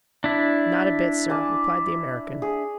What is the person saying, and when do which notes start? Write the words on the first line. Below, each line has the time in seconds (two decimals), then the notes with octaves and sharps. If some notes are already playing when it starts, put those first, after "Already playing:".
"Not a bit, sir," replied the American.
0.24 D4 E4
1.30 D5 G#5 A5
2.42 G#4